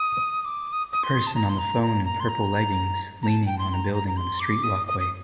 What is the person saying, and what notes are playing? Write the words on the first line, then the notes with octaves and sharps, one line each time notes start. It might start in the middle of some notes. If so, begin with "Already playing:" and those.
A person on the phone in purple leggings, leaning on a building on a street walkway.
Already playing: D#6
D#6
D6
D#6
D#6
C6
A5
A#5
C6
A#5
A#5
A#5
C6
A#5
A#5
A5
G5
C6
C6
A#5
A#5
A#5
C6
D6
D#6
D#6
D#6